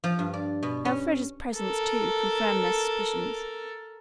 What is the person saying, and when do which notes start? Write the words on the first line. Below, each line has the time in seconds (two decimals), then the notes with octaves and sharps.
Elfreda's presence, too, confirmed their suspicions.
0.04 F3
0.19 G2
0.34 D5
0.63 B2
0.85 C#4
1.55 A4 A#4